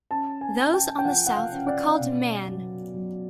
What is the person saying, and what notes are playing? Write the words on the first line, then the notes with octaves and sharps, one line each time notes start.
Those on the south were called Man.
C#4 A5
G#5
C#4
G5
G5
F3 F#5
F#5
F5
C#4
D5
B2
F#3
F#3